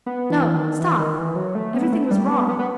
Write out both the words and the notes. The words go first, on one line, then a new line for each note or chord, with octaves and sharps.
No, stop! Everything was wrong.
B3
E3
D#3
E3
D#3
E3
F#3
A3
B3
A3
G3
B3
B3
B3